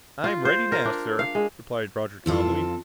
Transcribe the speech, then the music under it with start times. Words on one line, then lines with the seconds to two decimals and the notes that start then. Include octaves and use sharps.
"I'm ready now, sir," replied Roger calmly.
0.24 F4
0.45 C5
0.72 A#4
0.85 D4
1.19 F5
1.35 G#3
2.26 F2 E3 C4 F4 A4